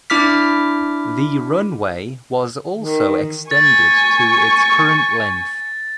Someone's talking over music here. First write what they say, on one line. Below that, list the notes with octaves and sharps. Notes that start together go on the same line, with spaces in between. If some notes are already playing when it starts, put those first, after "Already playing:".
The runway was also extended to its current length.
D4 E4 D6 F6 B6
D#3
G#5 C#6 A6